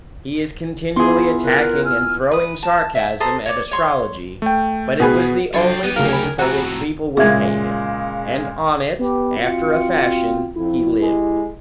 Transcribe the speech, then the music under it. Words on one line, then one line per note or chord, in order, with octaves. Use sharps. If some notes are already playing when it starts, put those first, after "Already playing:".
He is continually attacking and throwing sarcasm at astrology, but it was the only thing for which people would pay him, and on it after a fashion he lived.
B3 E4 F4 G#4 C6
A#4 F#6
G#5 E6 F6
B4 D#6
A5
E5
A4 C5 A#5 D#6
C#5 D5
C#5 C6 C#6
A3 G5
B2 B3 G#4 B4
D3 F#3 C#5 G5 A6 C7
B3 D#4 G4
D2 C#3 F#3 A#4 F5
G#5 B5
F2 A2 F#4 F#5 A#5 E6
A#2 C#3 G#3 G#4 E5 G#6
B3 G4 B4
C4 F4 F#4 C#7
F2 E4
G#3 G4